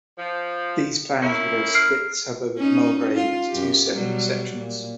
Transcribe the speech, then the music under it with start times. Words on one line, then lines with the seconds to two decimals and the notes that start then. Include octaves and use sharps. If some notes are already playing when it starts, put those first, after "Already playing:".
These plans would have split the suburb of Mulgrave into two separate sections.
0.18 F3
1.20 A#3 C#4 E4
1.75 F6 C7 D7
2.57 C#4 D#4
3.16 F4
3.50 F#2 G4
3.92 B2 F#3 G3
4.55 A#2